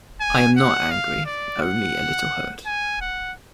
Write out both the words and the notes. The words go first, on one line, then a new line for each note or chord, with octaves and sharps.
I am not angry, only a little hurt.
G#5
F#5
F5
D5
F#5
G#5
F#5